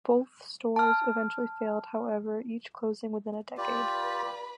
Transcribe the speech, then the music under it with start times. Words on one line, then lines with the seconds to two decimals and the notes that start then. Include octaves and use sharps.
Both stores eventually failed, however, each closing within a decade.
0.76 A5 F6
3.57 F4 G4 B4 D5 B5